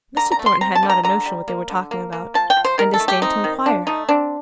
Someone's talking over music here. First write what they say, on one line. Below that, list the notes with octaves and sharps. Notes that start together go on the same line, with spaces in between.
Mr. Thornton had not a notion what they were talking about, and disdained to inquire.
D3 A#5
A#5
A3
C6
C4 A#5
A5
D3
A#5
D3 A#5
G3
A#3
D3
A#3
A#3
F3 A5
G5
F3
C5
D#3 A#4
A4
A3
G4
C4 D#4
D#3
F3 D4
A3 D#4
C4 D4